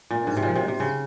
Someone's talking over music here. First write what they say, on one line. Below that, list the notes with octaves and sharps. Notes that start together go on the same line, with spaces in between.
Well, that's nice.
A#2
G#2
C3
A#2
C3
C3
C#3